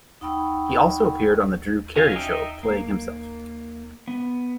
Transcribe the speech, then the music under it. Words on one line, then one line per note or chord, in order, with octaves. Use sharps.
He also appeared on "The Drew Carey Show," playing himself.
D#4 F#5 G5 B5 C#6 E6
C#4 F#4 D#5 F5 G#5
D#4 D#5 E5 G5
A#3
B3